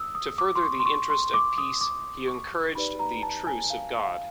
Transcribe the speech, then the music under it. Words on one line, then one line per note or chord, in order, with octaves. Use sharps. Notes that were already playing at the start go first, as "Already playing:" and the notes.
To further the interest of peace, he encouraged the Truce of God.
Already playing: D#6 E6
D#6
D6
C6
C#6
C6
C#6
C6
D6
D#6
D6
C#6
D#4 G4 B4 D5 B5
A#5
A5
G#5
F5
F5